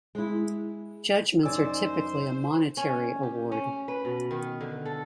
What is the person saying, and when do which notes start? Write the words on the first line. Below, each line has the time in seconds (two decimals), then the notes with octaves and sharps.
Judgments are typically a monetary award.
0.15 G#3 E4
1.43 F#2 D#4 C5 D5 G#5 E6
2.77 C#4
3.23 G4
3.52 C#4
3.88 B4
4.05 B2
4.31 D#3
4.61 D3
4.85 A4